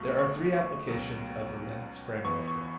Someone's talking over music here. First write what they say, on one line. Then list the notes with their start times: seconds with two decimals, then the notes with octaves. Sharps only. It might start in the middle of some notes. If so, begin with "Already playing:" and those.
There are three applications of the Linux framebuffer.
Already playing: B1 B2 A3 C#6
0.19 C#6
0.87 C#2 B2 F#3
2.24 E2 E3 B3 C#6
2.48 C#6